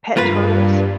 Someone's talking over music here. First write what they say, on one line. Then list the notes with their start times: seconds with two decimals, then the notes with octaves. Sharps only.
pet turtles
0.17 G2 A#3 F4 B4